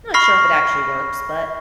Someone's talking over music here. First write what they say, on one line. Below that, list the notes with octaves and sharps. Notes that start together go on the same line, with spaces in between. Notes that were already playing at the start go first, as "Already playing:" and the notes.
not sure if it actually works, but
B5 C#6 F6 A#6 C7